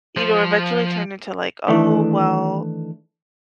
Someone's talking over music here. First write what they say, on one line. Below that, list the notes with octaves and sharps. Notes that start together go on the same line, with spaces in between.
you know, eventually turned into, like, "Oh, well"
F3 C5
D#3 E3 A3 D4